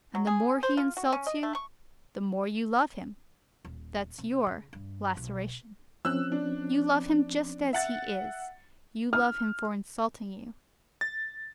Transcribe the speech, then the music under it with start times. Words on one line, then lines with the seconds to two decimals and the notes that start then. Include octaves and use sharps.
And the more he insults you, the more you love him--that's your 'laceration.' You love him just as he is; you love him for insulting you.
0.15 F#3
0.27 G#4
0.63 C5
0.77 F4
0.97 F#4
1.12 C#4
1.27 D#5
1.43 A3
1.55 C#6
3.65 D#1
4.18 C3
4.47 C#3
4.73 G2
5.17 B1
6.05 F3 C4 C#4 E6 F#6
6.32 D4
7.73 E5 F#5 A6
9.13 F6
11.01 A6